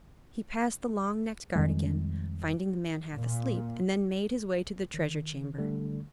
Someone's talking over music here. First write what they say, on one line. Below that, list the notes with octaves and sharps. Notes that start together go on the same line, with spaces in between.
He passed the long-necked guard again, finding the man half asleep, and then made his way to the Treasure Chamber.
F2 D#3 G3 G#3
A#2
D#3
D3 G3 A3